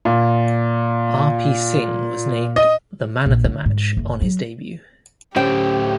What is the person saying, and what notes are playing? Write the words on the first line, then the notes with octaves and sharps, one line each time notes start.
R. P. Singh was named the Man of the Match, on his debut.
A#2
D#5
A#1
D3
G#2
F#1
F#3
A2 D3 C#4 G4 C5 G5